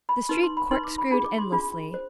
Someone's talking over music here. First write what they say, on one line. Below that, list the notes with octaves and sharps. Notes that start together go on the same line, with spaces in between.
The street corkscrewed endlessly.
B5
D#4 B4 C6
C6
B5
D#4 B4 C6
D6
B5
D4 F4 G#4 B5
D6
C6
D4 F4 G#4 B5
C5